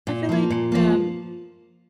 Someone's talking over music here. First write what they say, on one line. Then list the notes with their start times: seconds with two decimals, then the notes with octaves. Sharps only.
I feel like, um,
0.07 A#2
0.29 F3 A#3
0.50 A#2
0.72 F3 A#3